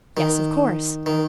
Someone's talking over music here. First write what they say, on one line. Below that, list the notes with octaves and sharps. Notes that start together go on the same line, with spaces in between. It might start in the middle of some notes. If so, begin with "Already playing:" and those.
"Yes, of course."
D#3
D#3